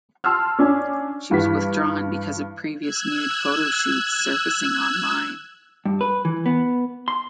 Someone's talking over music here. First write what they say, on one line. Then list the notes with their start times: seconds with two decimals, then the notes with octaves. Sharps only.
She was withdrawn because of previous nude photoshoots surfacing online.
0.24 A5 C6 E6 F6
0.58 C#4 D4 G#5
1.31 G2 E3 B6
2.79 E6 F#6 G#6
5.85 G2
6.01 B4
6.25 E3
6.46 B3
7.08 C6